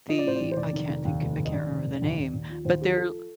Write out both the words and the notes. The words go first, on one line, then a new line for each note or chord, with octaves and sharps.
the I can't think. I can't remember the name. But they're
F3 D#5
D5
A2 C5
A1 D5
C5
F1 D5
D#3
F1
D#2
F1
D#2
D#5
D#2 D5
F1
F1
D#2
D#2
D#2
F3
D#2 C5
F3 G4
F3 A4